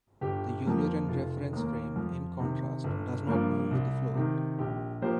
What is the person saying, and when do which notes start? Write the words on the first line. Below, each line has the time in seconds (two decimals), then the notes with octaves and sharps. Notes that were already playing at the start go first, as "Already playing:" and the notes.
The Eulerian reference frame, in contrast, does not move with the fluid.
0.21 G1 G4
0.66 F2 F3 A#3
1.08 F1 F4
1.53 D#2 D#3 A#3
1.96 F2
2.40 C3 D#3
2.84 G1
3.27 G2 F3 A#3
3.71 C2
4.15 C3 D#3
4.58 A#1 G4
5.02 A#2 F3 A#3 G4 C5